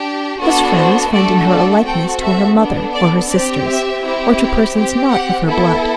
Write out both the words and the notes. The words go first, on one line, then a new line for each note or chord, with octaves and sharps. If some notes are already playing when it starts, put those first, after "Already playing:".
His friends find in her a likeness to her mother, or her sisters, or to persons not of her blood.
Already playing: D4 G4
B3 D4 F#4 A4
C5
A3 D4 F#4 A4 D5
D5
C4 F#4 A4 G5
E5
B3 D4 A4
D5
C4 G4 D5
E5
C4 E4 G4
C4 G4
F#5
B3 E4 A4